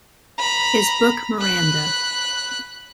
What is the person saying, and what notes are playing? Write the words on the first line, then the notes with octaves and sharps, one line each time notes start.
His book Miranda.
A#5 B5
B5 F#6